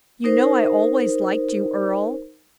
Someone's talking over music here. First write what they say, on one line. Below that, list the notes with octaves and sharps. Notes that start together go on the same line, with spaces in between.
"You know I always liked you, Earle."
D#4 A#4 C5